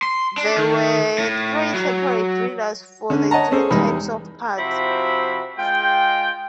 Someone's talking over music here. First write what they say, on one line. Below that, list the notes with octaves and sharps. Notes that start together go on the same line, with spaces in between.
There were three separate readers for the three types of cards.
C6
D4
D#3
A2
F#3
D3 C#4
C#5 D#5 F#5 A5 A#5
C#4 G#4 A4 C5
E2 G3 G#3 D#4 B5
C3 F3 C4 E4 F#4 B5
G#3 F4 G5